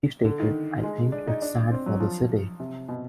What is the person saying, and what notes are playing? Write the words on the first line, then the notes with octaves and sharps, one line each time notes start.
He stated; I think it's sad for the city.
D3
D#3
G#3
D4
D#4
D4
C4
F#3
F3
C3
B2